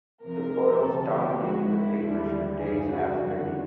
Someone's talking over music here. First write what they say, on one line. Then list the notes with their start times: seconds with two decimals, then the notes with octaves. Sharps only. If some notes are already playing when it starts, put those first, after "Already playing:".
The photos dominated the papers for days after the game.
0.22 E2 C3 F3 A#4
0.81 D2 C3 F3 A4
1.11 G4
1.40 D#2 D#3 G#3 F#4
1.71 E4
2.01 D#2 D3 G3
2.59 F#2 C#3 E3 G3 G#4
2.89 F#4
3.19 F2 D3 F#3